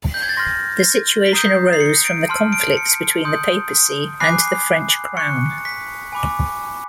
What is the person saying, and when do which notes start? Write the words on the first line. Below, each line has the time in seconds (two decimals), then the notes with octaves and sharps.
The situation arose from the conflict between the papacy and the French crown.
0.14 G6
0.22 G#6
0.29 A6
0.37 C6 F6 A#6
1.26 B6
1.33 A#5 D#6 G6 C7
1.73 C7
1.80 C#7
2.04 D7
2.29 A5 C6 F6
2.52 D7
2.77 C#7
3.25 C6 D#6 G6
4.20 G#5 B5 D6 F#6 C7
4.45 C7
5.17 C#6 F#6 C#7
5.65 B6
6.12 G#5 B5 D6